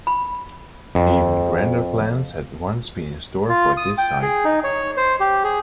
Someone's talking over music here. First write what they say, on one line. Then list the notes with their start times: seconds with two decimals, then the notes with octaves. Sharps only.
Even grander plans had once been in store for this site.
0.07 B5
0.95 F2
3.49 F4
3.77 D#6
3.98 G5
4.23 G#4
4.45 D#4
4.64 C#5
4.97 C5
5.20 G4
5.44 G#4